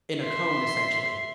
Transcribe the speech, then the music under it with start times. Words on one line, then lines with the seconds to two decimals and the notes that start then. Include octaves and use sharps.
in a cone, essentially.
0.19 E5 C6